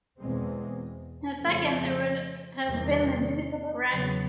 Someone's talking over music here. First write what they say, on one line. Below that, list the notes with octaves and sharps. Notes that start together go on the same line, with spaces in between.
In a second there would have been the deuce of a wreck.
E2 B2 G#3 C4
F2 C#3 F3 A3
E2 C3 D#3 G3
E2 C#3 F#3 B3